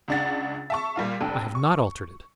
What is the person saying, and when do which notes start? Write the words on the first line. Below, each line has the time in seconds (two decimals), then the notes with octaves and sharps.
"I have not altered it."
0.08 C#2 C#3 D4 F#5 A6
0.70 E5 A5 C#6
0.96 A#2 G3 F4 F5
1.21 F1 D4 A4 G5
1.55 C#6